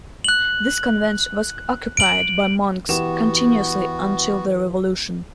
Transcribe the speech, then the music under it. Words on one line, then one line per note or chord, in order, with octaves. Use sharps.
This convent was occupied by monks continuously until the Revolution.
F#6 F#7
D7 F#7
E3 B3 F#4 G4 E7